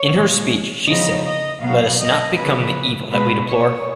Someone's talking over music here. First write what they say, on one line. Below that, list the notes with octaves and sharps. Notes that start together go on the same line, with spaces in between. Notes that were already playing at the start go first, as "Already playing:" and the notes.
In her speech she said, "let us not become the evil that we deplore".
Already playing: C#5
A#2 F3 G#3
C#3 F3 B3 D#4 D#5
D#5
B2 F#3 B3 F5
D#5
C#3 F3 A#3 B4
B2 G#3 B3 B4
C#5